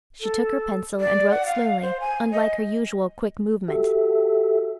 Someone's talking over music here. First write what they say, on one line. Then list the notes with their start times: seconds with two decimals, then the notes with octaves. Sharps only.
She took her pencil and wrote slowly, unlike her usual quick movement.
0.21 A4
1.00 D5
1.30 F#5
1.46 F5
1.82 C5
2.00 G#5
2.32 D#5
3.68 F#4 G4 A4 E5